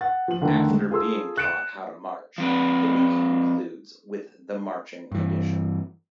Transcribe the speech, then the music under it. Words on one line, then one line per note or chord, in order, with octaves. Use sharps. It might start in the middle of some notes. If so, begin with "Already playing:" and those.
After being taught how to march, the week concludes with the marching audition.
F#5 A6
F3 F#7
E2 D3 D#3 A3
G#3
F4 G#4 A4 C6 E6
F#6 A6 C#7 D7 E7
F3 C4 B4
G2 E3